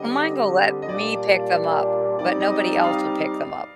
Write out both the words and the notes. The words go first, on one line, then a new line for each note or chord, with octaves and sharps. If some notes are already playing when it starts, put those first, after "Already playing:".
Mine will let me pick them up, but nobody else will pick them up.
Already playing: D3 G3 C4 D#5
D#5
A#2 G3 A#3 D4 F4 D5
G3 C4 D#4 D5
D#5
F5